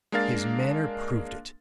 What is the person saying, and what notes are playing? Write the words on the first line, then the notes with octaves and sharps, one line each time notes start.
His manner proved it.
G#3 A#3 D4 A#4 F5 A6